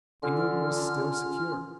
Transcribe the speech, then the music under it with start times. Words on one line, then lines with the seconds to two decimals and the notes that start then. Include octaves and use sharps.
England was still secure.
0.23 D3 C#4 F4 F6